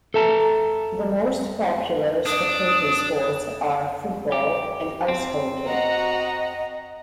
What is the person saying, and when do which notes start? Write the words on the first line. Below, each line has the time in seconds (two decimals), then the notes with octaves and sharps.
The most popular spectator sports are football and ice hockey.
0.14 A4 E5 A5 A#5
2.26 D4 D#6
4.32 G4
5.08 C4
5.67 F#4 D#5 F#5 A#5